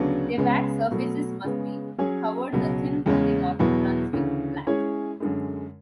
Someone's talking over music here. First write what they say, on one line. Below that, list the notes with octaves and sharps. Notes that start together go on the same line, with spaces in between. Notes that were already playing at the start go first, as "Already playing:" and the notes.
Their back surfaces must be covered in a thin coating of Brunswick black.
Already playing: D2 C#3 F#3 B3 D4
C#2 C#3 G#3 B3
B2 F#3 A3
C#3 G#3 B3
F#3 C#4 G#4
C#2 B2 F#3
E2 C#3 G#3 C#4
E2 B2 F#3 B3 E4
D2 C#3 E3
G#3 C#4 E4 G#4 C#5
F#2 D3 G#3